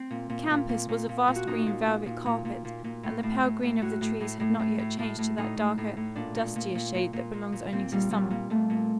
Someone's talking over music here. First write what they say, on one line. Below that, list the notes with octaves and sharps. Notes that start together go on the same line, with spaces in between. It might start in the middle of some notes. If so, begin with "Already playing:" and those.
The campus was a vast green velvet carpet and the pale green of the trees had not yet changed to that darker, dustier shade that belongs only to summer.
Already playing: C4
A#2
A#2
A#2
A#2
A#2
A#2
A#2
F#4
A#2 D#4
A#2
A#2
A#2
A#2
A#2
A#2
A#2
A2
A2
A2
A2
A2 F#4
A2
A2
A2
A2
A2
A2
A2
A2 D#4
A2
A2
A2
A#2 D4
A#2
A#2
A#2
A#2
A#2
A#2
A#2
A#2 C4
A#2 G3
A#2 G3
A#2
A#2 A3
A#2